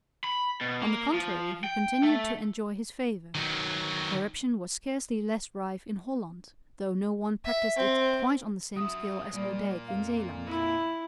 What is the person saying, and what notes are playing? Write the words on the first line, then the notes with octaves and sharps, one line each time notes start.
On the contrary, he continued to enjoy his favour. Corruption was scarcely less rife in Holland, though no one practised it quite on the same scale as Odijk in Zeeland.
B5
B2
A#3
F3
G5
A3
D#3 F#3
E5
C4
F#3 E5 D#6
A#2 G3 A#3
F2 F5
E4